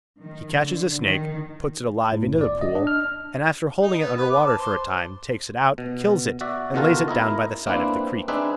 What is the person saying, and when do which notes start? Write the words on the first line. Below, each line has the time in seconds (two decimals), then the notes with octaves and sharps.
He catches a snake, puts it alive into the pool, and after holding it under water for a time takes it out, kills it, and lays it down by the side of the creek.
0.19 D#3
0.58 D3
1.03 D#3
2.12 A2
2.27 G1
2.41 D5
2.61 D#5
2.75 D4
2.87 F6
3.82 D#4
3.99 B3
4.17 B4
4.29 D6
4.46 A5
4.59 C5
5.78 B2
6.41 F#4 D5 E5
6.74 B2 D#3 F4 F#4 A4 A#4
7.08 D#4 E4 A#4 D#5
7.67 A#3 C4 D4 E4 B4
8.28 C4 D4 D#4 G#4 B4 E5